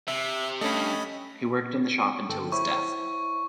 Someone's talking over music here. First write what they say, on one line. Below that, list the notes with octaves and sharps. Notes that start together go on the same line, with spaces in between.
He worked in the shop until his death.
C3 E5
G2 A3 C#4 D#5 B5
G1 A4 G5
E4 C5 C#5 C#6